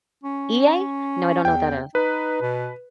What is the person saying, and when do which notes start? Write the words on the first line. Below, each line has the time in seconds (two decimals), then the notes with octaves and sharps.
E-A? No, I don't know what that is.
0.24 C#4
1.45 E2 G5
1.95 D#4 B4
2.41 B2